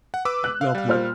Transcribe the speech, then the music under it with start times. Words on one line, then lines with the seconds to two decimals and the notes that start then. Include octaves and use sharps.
Well put.
0.14 F#5
0.25 B4 D6 E6
0.44 F#6
0.61 F5
0.75 G3 F5
0.88 A#2 C5 F6